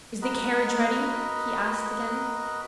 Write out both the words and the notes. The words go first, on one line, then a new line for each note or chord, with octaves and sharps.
"Is the carriage ready?" he asked again.
F#4 A#4 B4 D#5